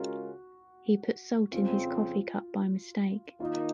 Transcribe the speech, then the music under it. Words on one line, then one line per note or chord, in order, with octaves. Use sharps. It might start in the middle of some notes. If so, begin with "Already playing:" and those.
He put salt in his coffee cup by mistake.
Already playing: C#3 G#3 C#4 F4 F#4 A#4
F2 C#3 F3 C4 F4
D#3 A#3 D#4 F4